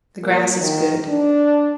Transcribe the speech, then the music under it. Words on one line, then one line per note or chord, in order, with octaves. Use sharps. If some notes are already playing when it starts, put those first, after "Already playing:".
The grass is good.
A#2
D#3
D4